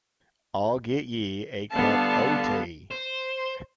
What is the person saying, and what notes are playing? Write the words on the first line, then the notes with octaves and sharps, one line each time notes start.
I'll get ye a cup o' tea.
D3 G3 B3 F5 A5
C5